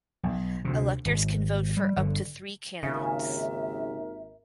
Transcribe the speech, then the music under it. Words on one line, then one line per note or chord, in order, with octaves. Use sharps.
Electors can vote for up to three candidates.
B1
D2 C3
G#1
G3
G1 D3
G#1 D#2 C#3 A#4 E5